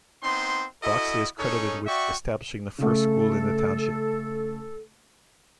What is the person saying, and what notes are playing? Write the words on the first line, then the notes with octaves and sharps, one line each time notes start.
Boxley is credited with establishing the first school in the township.
B3 C4 D#4 C6
E4 F#4 A4 D#5
C#4 D#4 G#4 A4 C#5
F#4 D5 E5 G5 C#6
C#3 A3 A4